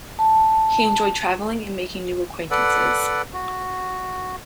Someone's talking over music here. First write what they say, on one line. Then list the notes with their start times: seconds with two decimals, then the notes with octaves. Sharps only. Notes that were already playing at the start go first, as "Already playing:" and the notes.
He enjoyed traveling and making new acquaintances.
0.19 A5
2.51 A4 B4 D5 F#5
3.33 F#4